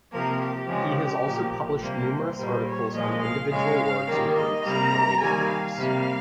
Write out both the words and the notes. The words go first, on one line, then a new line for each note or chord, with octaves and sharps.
He has also published numerous articles on individual words and groups of related words.
C3 F3 A#3 A#4
G4
C#3 F3 G#3
A#2 F3 A#3
C3 G3 A#3 C5
A#2 G3 A#3 C5
C#5
A#2 F3 G#3 D#5
F5
C#3 G#3 F5
D#3 G3 A#3
D#5
C3 G3 A#3 A#5
D#3 G3 A#3 G#5
F5
C3 G3 A#3